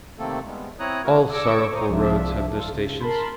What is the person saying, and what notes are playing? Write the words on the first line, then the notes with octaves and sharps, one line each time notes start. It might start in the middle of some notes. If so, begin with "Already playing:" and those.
All sorrowful roads have their stations.
C3 D#3 A3 A#3 C4 A4
G3 G#3 B3
C4 E4 C#5 A#5 D#6 F#6
A3 E4 F#4 A#4
D6 E6 G#6 A#6 C#7 D7
C5 C#5 A#5 D6 D#6
C2 F3 D4 E5
F4 A4
C#2
A#4 A5 B5 C6